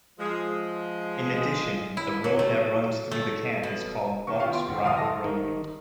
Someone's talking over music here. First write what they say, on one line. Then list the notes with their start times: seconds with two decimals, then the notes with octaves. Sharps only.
In addition, the road that runs through the camp is called Buck's Rock Road.
0.19 F3 G#3
1.97 E4
2.24 F#3
2.39 A3
3.11 A3
3.63 B2
4.27 D#3 C#6
4.40 B3 E4 F4 G4 F5
4.53 C6 D7
4.67 F#1 D#2 F#5
4.83 D1 C2 F5 C6 D#6 F7
4.97 A4 E5 A5 A#6
5.24 D#3